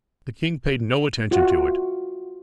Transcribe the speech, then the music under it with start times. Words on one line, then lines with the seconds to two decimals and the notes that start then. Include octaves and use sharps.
The king paid no attention to it.
1.31 F4 F#4 E5